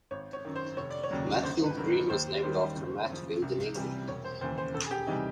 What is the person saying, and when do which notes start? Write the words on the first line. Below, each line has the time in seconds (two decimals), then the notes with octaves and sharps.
Matfield Green was named after Matfield, in England.
0.11 G#1 C#5
0.33 C#5
0.45 F#2 D#3
0.56 C5
0.77 F1 C#5
0.91 D5
1.03 C#5
1.11 D#2 C#3 F#3
1.43 G1 C5
1.66 B4
1.77 G2 D#3 F#3 A#4
1.88 B4
2.10 D#2 C5
2.43 D#3 G3 C5
2.76 F#1
3.09 F#2 C#3 F3
3.42 C2
3.75 C3 E3 G3
4.08 E1 C#5
4.25 C5
4.41 D#2 C#3 E3 C5
4.58 C5
4.74 E1 A4
4.86 G#4
4.91 G4
5.07 C3 E3 G3 D#4